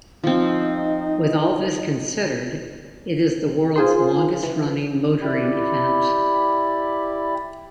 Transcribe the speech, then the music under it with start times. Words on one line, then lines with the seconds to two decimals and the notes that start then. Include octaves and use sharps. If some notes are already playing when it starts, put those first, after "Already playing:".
With all this considered, it is the world's longest running motoring event.
0.24 F3 C4 D#4
3.76 F4 G#4 C5
4.43 E3
5.22 E4 G4 D5 B5